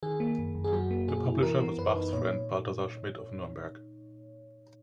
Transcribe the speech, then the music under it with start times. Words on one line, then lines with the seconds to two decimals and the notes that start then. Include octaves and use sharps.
The publisher was Bach's friend Balthasar Schmid of Nuremberg.
0.03 D#3 G#4
0.20 A#3
0.38 F#2
0.55 F#2
0.64 G#4
0.73 F#3 F#4
0.91 A#3
1.08 B2 G#4
1.26 E4
1.43 E3 A#4
1.60 B3
1.78 F#2 B4
1.95 D#4
2.13 A#2 C#5